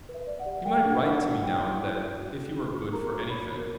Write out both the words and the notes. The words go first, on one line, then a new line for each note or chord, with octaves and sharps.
You might write to me now and then, if you were good for any thing.
B4
E5
D5
F#5
G4
A#4 G5
D4
F#5
D4
F#5
D4
E4 G5
E4
E4
E4
F#4
F#4
F#4
F#4
A#4 A#5
F#4
C#5 B5
A#4